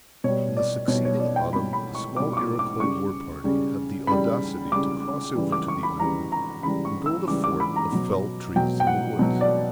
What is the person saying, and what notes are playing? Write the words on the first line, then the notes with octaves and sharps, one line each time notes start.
In the succeeding autumn a small Iroquois war-party had the audacity to cross over to the island, and build a fort of felled trees in the woods.
B2 G3 C#5
D5
B2 G3 C#5
C#5
D5
G5
B2 G3 B5
B5
C#6
B2 G3 D6
C#6
D6
D6
C#3 G3 C#6
C#3 G3
C#3 G3 B5
C#3 G3 D6
C#3 E3 G3
D6
C#6
B5
C#3 E3 G3 A#5
A#5
C#3 E3 G3 B5
C#6
E6
C#3 E3 G3 D6
D6
B5
A#5
B2 F#3
B2 F#3 G5
G5
F#5
B2 F#3
D5